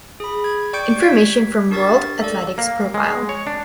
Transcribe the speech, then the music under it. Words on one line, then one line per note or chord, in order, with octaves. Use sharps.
Information from World Athletics profile.
G#4 B5
G#6
D5 G5 C#6 G6 C#7 D7
G4 G#6 B6
D4 G4 A#4 C#6 A6
A4 D5
A#3
G#3
C#5
D4